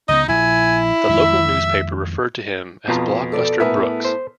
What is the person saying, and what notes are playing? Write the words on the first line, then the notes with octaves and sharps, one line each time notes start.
The local newspaper referred to him as "Blockbuster Brooks".
C#2 C#3 B3 D#4 D#5
A#1 E4 G#5
F2 D#3 G#3 E5
F2 B2 F4 A#5
A4 D5
A2 B3 A#4 B4 E5 G#5
C5